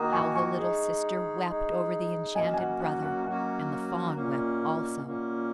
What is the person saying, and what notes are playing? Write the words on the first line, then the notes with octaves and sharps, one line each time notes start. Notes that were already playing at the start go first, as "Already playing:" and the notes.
How the little sister wept over the enchanted brother, and the fawn wept also.
Already playing: D#3 A#3 F#4 A#5 D#6
G#5 C#6
G#5 C#6
G#3 D#4 G#4
G#3 D#4 G#4
F#3 A#3 C#4 F#4 D#5 G#5
G#5
F#5
F#5
F#5
F#3 A#3 C#4 F#4 F#5
A#2 A#3 C#4
A#2 A#3 C#4